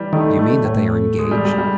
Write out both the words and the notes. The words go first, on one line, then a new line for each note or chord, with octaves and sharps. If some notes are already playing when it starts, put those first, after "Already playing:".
"Do you mean that they are engaged?"
Already playing: E3 G3
D#3 A3
A3
A2
G#3
G3
G3
G3